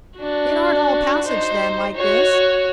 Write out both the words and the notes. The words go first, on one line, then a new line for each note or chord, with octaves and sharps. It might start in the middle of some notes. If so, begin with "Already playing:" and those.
"It aren't all passage, then, like this?"
D4 F#4
D#4 C5
F#4 C#5